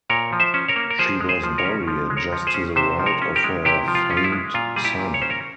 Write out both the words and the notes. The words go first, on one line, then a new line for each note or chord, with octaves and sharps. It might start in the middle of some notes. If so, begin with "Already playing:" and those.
She was buried just to the right of her famed son.
A#2 A#4 C#5
F3
C5 E5
C#4
A#4 C#5
A#3
A#4
F3 G#4 C5
G#3
G#4 C5
F3
A#4 C#5
C#4
F3
G#3
A#4 C#5
F3
G#4 C5
C#4
C3 C5 E5
F3
A#4 C#5
C#4
G4 A#4
G#3
C3 E4 G4
F3
F4
C#4
F4
E4
G#3
A#2 F4
G3 G#4
E4 G4
A#2
C#5
C#4 C5
A#4 C#5